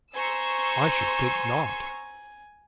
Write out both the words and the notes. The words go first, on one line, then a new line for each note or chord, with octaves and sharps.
"I should think not."
C5 G#5 A#5 C6 C#6 E6